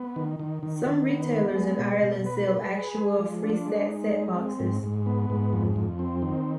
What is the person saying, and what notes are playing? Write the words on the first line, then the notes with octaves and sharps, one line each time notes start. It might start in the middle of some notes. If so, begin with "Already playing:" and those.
Some retailers in Ireland sell actual Freesat setboxes.
Already playing: B3
D#3
D#3
D#3
D#3
B3
B3
G#3
B2
B2
B4
B4
G#4
G#3
F3
D4
G#3
D#4
G#3
C4
G#2
G#2
B3
G#2
F2
F2
C4
D#3